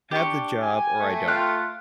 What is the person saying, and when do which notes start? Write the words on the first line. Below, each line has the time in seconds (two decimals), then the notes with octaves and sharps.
have the job or I don't.
0.11 D4 G4 C#6
0.61 G#5
0.97 A3
1.28 F4 F5 G5 F#6